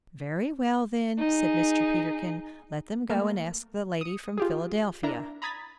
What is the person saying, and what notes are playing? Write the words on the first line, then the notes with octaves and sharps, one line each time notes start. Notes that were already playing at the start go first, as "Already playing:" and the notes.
"Very well, then." said Mr. Peterkin, "let them go and ask the lady from Philadelphia."
D#4 G#4
A3 A#3
D#6 C#7
F4 G4 G#4
D4 E4 A#4 A#5
A#5 B5 D#6 G#6 A6 B6